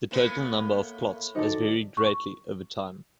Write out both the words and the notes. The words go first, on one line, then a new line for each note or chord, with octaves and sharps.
The total number of plots has varied greatly over time.
A2 A#3 B3
D#3 D#4 F#4 A4 C5 D5
C#6